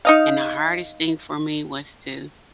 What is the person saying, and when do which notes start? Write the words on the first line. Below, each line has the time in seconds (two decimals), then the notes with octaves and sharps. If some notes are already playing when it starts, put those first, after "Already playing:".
and the hardest thing for me was to
0.05 D#4 D#5 F5